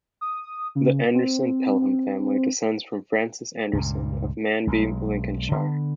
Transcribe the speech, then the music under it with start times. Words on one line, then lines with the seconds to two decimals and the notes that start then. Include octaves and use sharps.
The Anderson-Pelham family descends from Francis Anderson of Manby, Lincolnshire.
0.21 D#6
0.75 C#3
1.14 C4
3.73 C#2 G2 A#2
4.67 B1 G#3
5.51 D3 B3